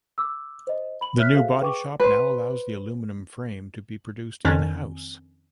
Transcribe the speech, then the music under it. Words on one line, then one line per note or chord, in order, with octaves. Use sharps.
The new body shop now allows the aluminum frame to be produced in-house.
D6 E6
C5 D#5
B5 F#7
C#5 E5 F6 F#6 B6
F#4 G#4 A4 C5 E5 F5
G#4 B4 G5 C#6 D6
B4 C5
F2 D#3 C#4 D4